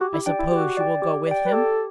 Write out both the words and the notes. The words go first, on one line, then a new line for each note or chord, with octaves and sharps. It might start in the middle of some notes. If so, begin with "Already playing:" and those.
"I suppose you will go with him?"
F#4 G4
E4
D4 D5 G5
E4
F#4 G4
D5 G5
G4
D5 G5
B4
G4 A4